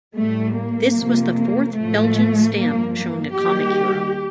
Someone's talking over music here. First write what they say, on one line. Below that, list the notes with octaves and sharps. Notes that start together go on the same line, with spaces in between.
This was the fourth Belgian stamp showing a comic hero.
A2 G3 A3
A#3
F2 C3 F3
A#3
A2 F3 A3
G2 F3 A#3
A#3
D#2 D#3 G3 G4